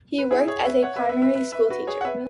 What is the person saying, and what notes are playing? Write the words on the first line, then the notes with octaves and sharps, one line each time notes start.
He worked as a primary school teacher.
B4
E4 G#4
G#4 C#5
B4 E5
C#5 F#5
B4 E5
B4 E5
B4 E5
B4 E5
B4 E5
F#4 B4
G#4 C#5
F#5
B4 E5